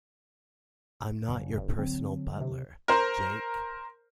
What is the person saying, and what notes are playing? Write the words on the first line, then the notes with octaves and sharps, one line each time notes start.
I'm not your personal butler, Jake.
F#1
G1
D3 F#3 C4
C3
A#4 C5